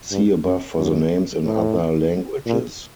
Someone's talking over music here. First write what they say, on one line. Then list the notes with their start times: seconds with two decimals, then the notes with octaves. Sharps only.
See above for the names in other languages.
0.11 G2
0.44 F#2
0.78 F#2
1.46 A2
2.46 A#2